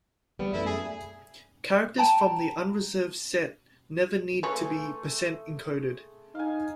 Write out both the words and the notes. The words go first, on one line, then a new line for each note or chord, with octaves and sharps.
Characters from the unreserved set never need to be percent-encoded.
G3 B3
F#2 A3 E4
G#4
G5 A5 A#5
A3 G#4 B4 C#5 G#5 C6
D#4 F5 G#5